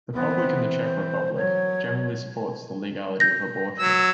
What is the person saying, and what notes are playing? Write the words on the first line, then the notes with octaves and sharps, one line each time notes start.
The public in the Czech Republic generally supports the legality of abortion.
E3 B3 C4
C5
F#3 C#5
G6 A#6
F#3 E6